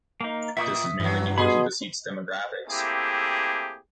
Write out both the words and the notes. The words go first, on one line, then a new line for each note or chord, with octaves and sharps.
This is mainly because of the seat's demographics.
A#3 D#4
A2 E5 C#6 D#6
G2 E3 F#3
B2 G#4 B5 C6 D#6
A3 A#3 C4 E4 G4 G#4